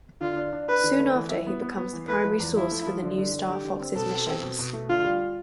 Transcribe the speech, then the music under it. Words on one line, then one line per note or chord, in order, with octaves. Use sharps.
Soon after, he becomes the primary source for the new Star Fox's missions.
D3 F4
D4
D4
D4 B4
D3
A3
E3
E4
B3
B3
B3
E3
A3 B4
F3
E2
F3 E4
A3
F3
D3
D3
D3
D3 G4
D3
C4
B2 A4
C4
C4
B2
B2
A3
D3 F4
G3